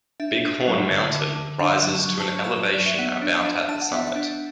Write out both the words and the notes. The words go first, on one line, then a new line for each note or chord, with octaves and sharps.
Bighorn Mountain rises to an elevation about at the summit.
D4 E5
D4
F#3
D3
D3
D3
D4 F#5
F#3
A5
F#3
A5
F#3
A5
F#3
F#3 D5
E5
B3 F#5
D4
A5
D4
D4 A5
F#5
B3 E5
F#5
D4